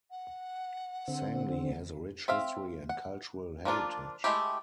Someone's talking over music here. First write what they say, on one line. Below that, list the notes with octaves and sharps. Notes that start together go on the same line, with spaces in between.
Sangli has a rich history and cultural heritage.
F#5
D3 C4
C4 E5 F5
F#5
F3 A#3 D4 F4
G#3 A3 E4 G4